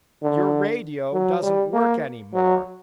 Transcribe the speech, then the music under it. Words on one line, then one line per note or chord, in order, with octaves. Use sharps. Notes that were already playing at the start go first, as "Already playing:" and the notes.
Your radio doesn't work any more.
D3
F#3
G3
A#3
F#3